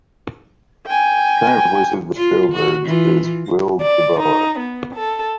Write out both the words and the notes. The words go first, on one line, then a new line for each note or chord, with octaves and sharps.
The current voice of the Shorebirds is Will DeBoer.
G5 G#5
F4
F#4
E3 F4
D5
D#4
B3
A4